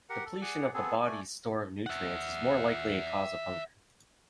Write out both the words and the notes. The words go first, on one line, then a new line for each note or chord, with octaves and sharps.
Depletion of the body's store of nutrients is a more likely cause of hunger.
G4 A#4 F#5
A4
G#4 D5 F#5
B3 C4 G#4 A4
A3 D5 G#5
E5 F#5